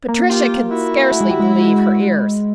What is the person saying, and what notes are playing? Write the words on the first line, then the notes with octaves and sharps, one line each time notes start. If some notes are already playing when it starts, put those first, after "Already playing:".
Patricia could scarcely believe her ears.
A#3
F4 G4
E4 F#4
A3
G#3
G3
G#3